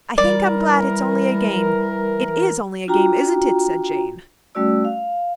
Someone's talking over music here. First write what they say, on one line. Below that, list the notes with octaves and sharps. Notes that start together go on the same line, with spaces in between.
'I think I'm glad it's only a game; it IS only a game, isn't it?' said Jane.
E3 G3 A#4 D5
D4 F4 F#4 G5 A#5
G3 A3 C#4 F#4 D5 E6
F5